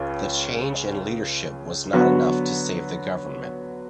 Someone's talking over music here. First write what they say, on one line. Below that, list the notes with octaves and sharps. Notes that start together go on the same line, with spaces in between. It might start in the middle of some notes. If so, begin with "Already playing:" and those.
The change in leadership was not enough to save the government.
Already playing: C#2 C#3
D3 F#3 B3 F#4